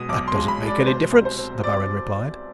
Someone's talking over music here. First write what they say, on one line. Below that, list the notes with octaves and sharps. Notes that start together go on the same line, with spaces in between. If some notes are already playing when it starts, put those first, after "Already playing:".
"That doesn't make any difference," the Baron replied.
Already playing: B2 G#3 D#6
B1 D6
C6
G#3
B5
G#3
D5
B4
B2 C5
C2
C5
C4
C4 D5